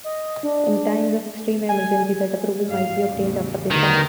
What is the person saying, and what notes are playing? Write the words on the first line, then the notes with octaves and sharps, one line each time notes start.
In times of extreme emergency, that approval might be obtained after the fact.
D#5
D4
G#5
G#2 F5
E2 A2 C#3
D3 D#3 B3